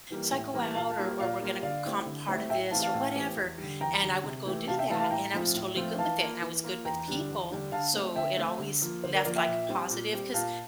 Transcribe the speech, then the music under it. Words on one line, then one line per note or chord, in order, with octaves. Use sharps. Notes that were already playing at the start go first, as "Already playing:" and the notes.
so I go out or or we're gonna comp part of this or whatever, and I would go do that, and I was totally good with it, and I was good with people, so it always left, like, a positive 'cause
E3 G3 A#3
A2
E3 G3 A#3
A#2 F5 A5
F5 A5
G3 A#3 F4
A#2 D5 F5
G3 A#3 F4
D3 D5 F5
A3 C4 E4 G4
D3
A3 C4 E4 G4
A2 E5 G5
E3 A3 C4 G4 F5 A5
F5 A5
A2
E3 A3 C4 G4
E2
D3 G3
E2 G5 A#5
D3 G3
C3
E3 A3 E4 G4
C3 F5 A5
E5 G5
E3 A3 E4 G4 F5 A5
F5 A5
A2 G5 A#5
F3 A3 C4 F4
A2
F3 A3 C4 F4
E3 F5 A5
A#3 F4
E3
A#3 F4
E2 G5 A#5
D3 G3 D4
E2
D3 G3 D4
D3 F5 A5
A3 C4
D3 E5 G5
A3 C4
D3
F3 A#3
D3 C5
A#4 D5
F3 A#3 A#4 D5
E5 G5
A#2
G3 C4 G4
A#2
G3 C4 G4
A#2 F5 A5